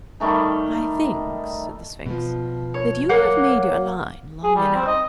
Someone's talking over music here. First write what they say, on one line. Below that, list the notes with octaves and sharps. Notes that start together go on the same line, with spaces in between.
"I think," said the Sphinx, "that you have made your line long enough."
D#3 G3 A3 D#4
B2 F3
C#5
F#3 A#3 C#5 F#5
G#4
G3
C4
D#5